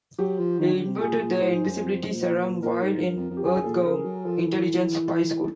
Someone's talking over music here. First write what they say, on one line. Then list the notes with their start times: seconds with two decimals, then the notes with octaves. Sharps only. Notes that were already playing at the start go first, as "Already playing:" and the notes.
He invented the invisibility serum while in Earthgov Intelligence's spy school.
0.18 F#3 G4
0.38 F3
0.59 D#3
0.73 D3
0.86 C3
0.99 A#2 G#4
1.20 A#2
1.40 A2 C5
1.54 G#2
1.67 F#2
1.81 F2
1.91 F2
2.01 F#2
2.12 A#2
2.22 C5
2.35 B4
2.48 B4
2.62 A#2 A#4
2.83 G#2
3.03 G2
3.16 F2
3.30 F2
3.37 G4
3.44 F#2 G#4
3.64 A#2 A4
3.84 C#3 A#4
4.04 F#3
4.25 F3 A4
4.46 E3